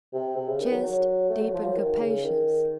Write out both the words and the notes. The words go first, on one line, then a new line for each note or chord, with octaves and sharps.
CHEST--Deep and capacious.
C3
C3
C#3
D#3
F#3
F#3
A3
F#3
F3
F#3
D#3
C#3
D#3